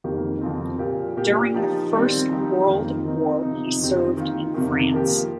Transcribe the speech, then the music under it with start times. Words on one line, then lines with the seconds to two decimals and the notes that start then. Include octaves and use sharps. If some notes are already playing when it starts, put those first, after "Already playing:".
During the First World War, he served in France.
0.04 F2 D#3 A#3 G4
0.41 F2 F3 C4
0.79 A#2 A#3 G4
1.17 A#2 A#3 G4
1.54 F3 D#4 G4
1.92 D#3 G3 C4
2.29 F3 D#4 G4
2.67 F2 D#3 A#3 F4
3.05 D#3 C4 D#4
3.42 C3 F3 D#4
3.79 F2 D#3 C4 G4
4.17 D#3 A#3 F4
4.54 F2 C3 D#3
4.92 F3 A#3 G4